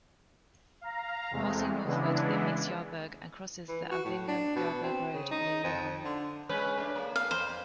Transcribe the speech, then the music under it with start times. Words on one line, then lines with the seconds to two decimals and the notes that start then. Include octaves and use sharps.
Passing northwards, it meets Yarburgh, and crosses the Alvingham-Yarburgh road near Newholme.
0.81 F5 A#5
1.31 E2 C3 G#3 A3
1.84 C#3 E3 G#3 B3 D4 E4
3.68 E3
3.91 F#4
4.05 A2
4.28 D4
4.56 B2
4.84 C4
5.14 C#3
5.31 D#4
5.64 F2
6.04 D3
6.49 G#3 C#4 B4
6.78 A3 D4
6.96 A#3
7.16 F5
7.31 F2 C5